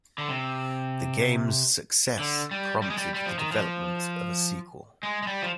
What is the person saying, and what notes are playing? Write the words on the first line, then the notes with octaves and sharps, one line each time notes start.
The games success prompted the development of a sequel.
D3
C3
D3
G3
G3
G#3
G3
G3
F3
D#3
F3
G#3
G#3
G3
F3